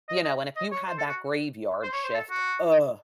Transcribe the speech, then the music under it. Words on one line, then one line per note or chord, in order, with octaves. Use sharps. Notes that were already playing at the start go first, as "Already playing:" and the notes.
you know, and if you had that graveyard shift, ugh,
D#5
D#5
D#5
C#5
C5
A4
F#4
C5
C#5
C5
A4
F#4